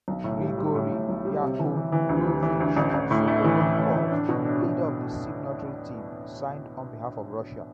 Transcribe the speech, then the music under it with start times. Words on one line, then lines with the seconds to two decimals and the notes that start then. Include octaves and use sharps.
Grigori Yakovlovich Sokolnikov, leader of the signatory team, signed on behalf of Russia.
0.08 B1
0.24 A2
0.41 G3
0.58 G3
0.75 A2
0.92 A2
1.09 B1
1.25 G3
1.42 C3
1.59 E3
1.76 E3
1.92 E3
2.09 D2
2.27 E3
2.43 E3
2.60 D2
2.77 A1
2.94 A1
3.11 A2
3.28 A3
3.44 E3
3.61 E3
3.78 A2
3.95 A2
4.12 D4
4.29 B2
4.45 D4
4.63 B2